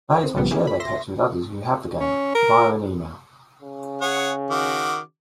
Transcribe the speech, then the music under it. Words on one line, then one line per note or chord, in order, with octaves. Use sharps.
Players may share their Petz with others who have the game via an email.
C4
B1 G#2 C#3 F3 G3 B3
A#3 B3 C#4 E4 G4 G#4
B5
E5 C6 A#6
C#4
A#4
C#3
G#4 C#5 F#5
D#3 F#4 D6